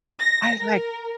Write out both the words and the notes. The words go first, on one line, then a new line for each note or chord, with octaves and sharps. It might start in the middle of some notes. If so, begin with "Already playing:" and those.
I was like
A#6
A#4